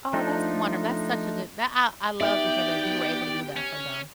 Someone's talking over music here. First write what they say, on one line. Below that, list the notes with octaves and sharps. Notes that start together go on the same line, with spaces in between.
Oh, that's wonder that's such a good that I I love to hear that you were able to do that for them.
F3 A3 D4 D#4 A4
B3 D#4 G4 D5 E5 G5
C#4